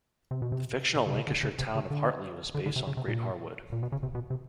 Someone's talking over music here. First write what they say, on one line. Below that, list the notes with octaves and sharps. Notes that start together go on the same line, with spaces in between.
The fictional Lancashire town of Hartley was based on Great Harwood.
C3
B2
C3
C3
D3
C3
C#3
D3
C#3
C3
C#3
D3
D3
D3
C3
C#3
C3
A#2
A#2
B2
C#3
C3
B2
C3